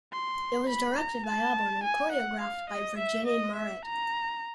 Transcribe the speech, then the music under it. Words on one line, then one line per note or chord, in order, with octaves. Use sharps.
It was directed by Aborn and choreographed by Virginie Mauret.
C6
B5
A#5
A5
G#5
F#5
F5
D#5
E5
D#5
E5
A#5